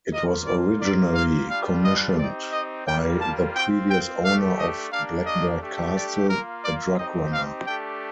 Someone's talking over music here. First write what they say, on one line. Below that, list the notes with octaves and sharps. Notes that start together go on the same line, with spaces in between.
It was originally commissioned by the previous owner of Blackbird Castle, a drug runner.
A#3 F4 D#5
D5
A#3 F4 D5
F5
G3 D4 F4 F5
D#5
C4 D#4 G4 D5
D#5
G3 A#3 F4 G5
A5
C4 F4 G5
G5
A3 D4 G4 F5
D#5
A#3 D4 G4 F5
D#5
A3 D4 G4
D5
A#3 F4 A#4
D5
C4 D#4 G4 D#5
F5
A3 D4 G4 G5